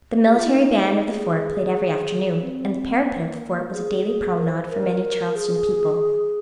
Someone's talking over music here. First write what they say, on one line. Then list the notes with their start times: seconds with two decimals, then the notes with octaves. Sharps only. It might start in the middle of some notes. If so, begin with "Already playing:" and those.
The military band of the fort played every afternoon, and the parapet of the fort was a daily promenade for many Charleston people.
0.24 G#4
0.35 F4
0.46 D#4
1.11 G#4
2.42 C4
3.07 A#3
3.73 G#4
4.38 A#4
4.48 C5
4.71 A#4
5.35 G#4